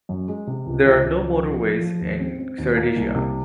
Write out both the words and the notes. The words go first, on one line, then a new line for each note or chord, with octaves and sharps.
There are no motorways in Ceredigion.
F#2
G#3
C3
C#2
C#2
C#2
F3
F3
F3
F3
D#2
C4
C4
D#2
A#3
C2
C3